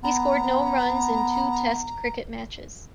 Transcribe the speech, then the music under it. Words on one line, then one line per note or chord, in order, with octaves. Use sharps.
He scored no runs in two Test cricket matches.
B3 A#5